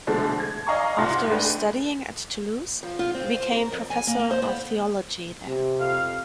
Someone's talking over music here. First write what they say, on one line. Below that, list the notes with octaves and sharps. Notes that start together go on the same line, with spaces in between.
After studying at Toulouse, he became professor of theology there.
C2 B2 D3 F3 G#3 A3
G#6
D5 D#5 F5 G#5 A#5 C#6
C2 G#2 F4 F#5 C6 A#6
G#3 A3 D4 B4 G5
F3
F4
C4
C5
A#4
F2
G#5
A#3
A#3
C5
B3
C3
F2 F5